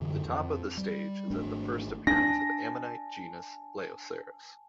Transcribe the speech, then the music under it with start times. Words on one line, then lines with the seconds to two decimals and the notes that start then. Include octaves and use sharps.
The top of the stage is at the first appearance of ammonite genus "Leioceras".
0.01 F#2 D3 E3
0.25 F2
0.77 G3
1.30 G#1 A3 D4
2.07 D4 G#5 A5 A#6